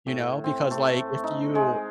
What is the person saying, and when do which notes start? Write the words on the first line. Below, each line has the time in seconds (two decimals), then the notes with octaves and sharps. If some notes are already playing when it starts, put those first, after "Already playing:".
You know, because, like, if you
0.07 A2
0.44 C4
0.71 A3
1.24 D#4
1.55 G#3